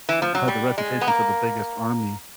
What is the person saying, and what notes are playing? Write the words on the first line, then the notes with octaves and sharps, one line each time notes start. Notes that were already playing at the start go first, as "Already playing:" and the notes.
had the reputation for the biggest army.
E3
F3
F#3
G3
G#3
B3
A#3